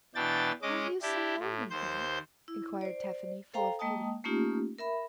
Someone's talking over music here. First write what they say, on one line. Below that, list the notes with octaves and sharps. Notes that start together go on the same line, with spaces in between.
'Are you so lonely, then?' inquired Tephany, full of pity.
B2 E3 D4 G5 A6
G#3 C#4 D#5 D6
D4 E4 G4
A2
D#2 C5 G6
E4
C5 D5
A4 C5 F5 G5 A#5
G#3 A#3 D#5 G5 A5 D#6
A3 A#3 C#4 D#4 F4 G4
A#4 E5 B5